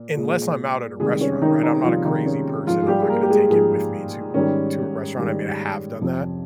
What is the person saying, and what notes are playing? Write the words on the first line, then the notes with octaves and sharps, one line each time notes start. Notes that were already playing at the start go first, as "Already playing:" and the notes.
unless I'm out at a restaurant, right, I'm not a crazy person, I'm not gonna take it with me to to a restaurant. I mean, I have done that.
Already playing: A#2
A#2 G#3
C3 D#3 G3 G#3 G#4
C#4
D#3 D#4
D#3 D#4
C3 D#3 F3 G3 F4
D#3 D#4
C#4
G#2 F3 G#3 F4
G#4
G3 G4
G#4
A#3 A#4
G4
G#3 G#4
G#2 F3 G#3 G#4
G#2 D#3 G3 C#4
G#2 D#3 G3
F2 C3 F3